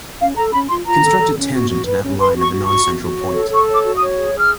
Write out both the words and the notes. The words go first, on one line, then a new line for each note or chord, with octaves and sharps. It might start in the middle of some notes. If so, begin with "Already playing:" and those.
Construct a tangent to that line at the non-central point.
C#4 F5
A4 A#5
C#4 B5
F4 C6
F4 A#5
A4
A4
C#4
F#4
F#4
B4
C#4
B4 C6
F#4
C#6
F#4
C#6
F#4
F#4
F#4
C#5
A4
A4 C#6
C#5
D6
F#4
D#6
C#5
G#4
G#4 F6